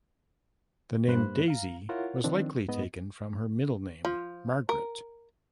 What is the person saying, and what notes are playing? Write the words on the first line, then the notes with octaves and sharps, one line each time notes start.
The name Daisy was likely taken from her middle name Margaret.
G2 A#3 C5 B5 F#6
F5 A#5
E4 F4 A#4 C#5 F#5
D#3 F3 C4 D4
G#2 B3 D#5
F3
A#4